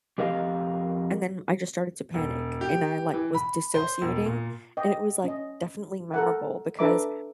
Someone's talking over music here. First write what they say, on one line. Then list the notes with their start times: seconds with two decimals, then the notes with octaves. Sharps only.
and then I just started to panic and I, like, was dissociating and it was, like, definitely memorable because
0.18 F2 G4 A#4 D#5 F5
2.14 E1
2.61 G4
3.13 E3
3.35 B5
3.74 C5
4.01 E1
4.26 A#2
4.77 D#5 G5 D6
5.24 C#4 D#5
6.14 A4 A#4 F#5
6.79 D4 A4 B4 E5 A#5 D6